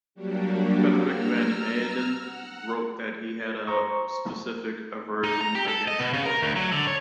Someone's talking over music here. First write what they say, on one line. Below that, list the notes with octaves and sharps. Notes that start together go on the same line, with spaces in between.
Frederik van Eeden wrote that he had a specific aversion against the book.
F#3 G3 A#3 D4 F#4 G4
A#5 E6 F6
F#5
C5 A#5 C#6
D#4
A#5
G4
A4
D#5
B2
C#3
A#4
D2
F#3
D3
C#5